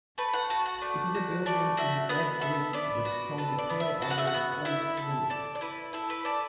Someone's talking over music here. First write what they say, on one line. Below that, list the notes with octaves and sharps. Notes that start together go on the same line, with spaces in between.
It is a building in red brick with stone detail under a slate roof.
A3 B4
F#5
F#4 A5
F#5
A3 D5
F#4
A3 D5
F#4 E5
B3 F#5
A4 E5
B3 D5
F#4
A4 B4
D5
B3
E5
F#4 A5
F#5
E5
F#5
B3
E4 E5
A4
A4 D5
D5
E4 B4
E4 A4
B4
A4 D5